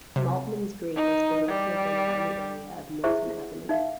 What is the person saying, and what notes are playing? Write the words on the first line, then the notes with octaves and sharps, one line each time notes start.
Maltmans Green is believed to have been around the area of Milton Avenue.
C3
D#4
G3
E4 G4 G#4 C5 E5 C#6
D#4 E5 F5